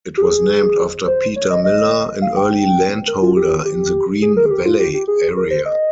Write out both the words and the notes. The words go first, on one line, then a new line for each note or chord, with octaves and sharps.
It was named after Peter Miller, an early landholder in the Green Valley area.
G4
G#4
C5
C#5
D#5
D#5
F5
G5
A#4
F4
G4
G4
G#4
A#4
G#4
G4
F4
G4
G4
G#4
A#4
C5
D#5